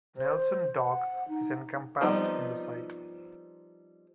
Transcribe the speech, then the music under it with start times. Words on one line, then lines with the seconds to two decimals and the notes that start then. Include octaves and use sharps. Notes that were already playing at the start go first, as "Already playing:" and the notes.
Nelson Dock is encompassed in the site.
0.17 C5
0.77 F#5
1.29 D#4
2.01 F3 G3 B3 C4 D#4